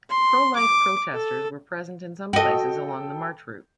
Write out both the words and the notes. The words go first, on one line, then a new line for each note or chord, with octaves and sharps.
Pro-life protesters were present in some places along the march route.
C6
D6
A4
F#4 A4 D#5 G5